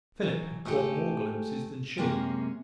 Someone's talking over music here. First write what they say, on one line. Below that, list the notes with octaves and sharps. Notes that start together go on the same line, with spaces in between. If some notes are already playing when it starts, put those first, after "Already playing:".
Philip had caught more glimpses than she.
E3 F#3
G#2 A3 E4 G4 A4 G#5
F#2 C3 G#3 A#3 C#4